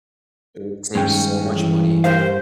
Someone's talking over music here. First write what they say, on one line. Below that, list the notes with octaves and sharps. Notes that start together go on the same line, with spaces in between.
It would save so much money.
G2 D#3 G#3 C#4 G5
E3
G4 A#4 C5 F5